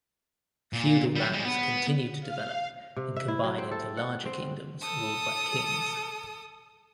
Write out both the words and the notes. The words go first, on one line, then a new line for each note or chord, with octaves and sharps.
Feudal lands continued to develop and combine into larger kingdoms ruled by kings.
A#2
F#3 G3
G3 G#3
B3
F5
C3
E5
E4
F#3
C4
A4
F#5
C4
A4 D#6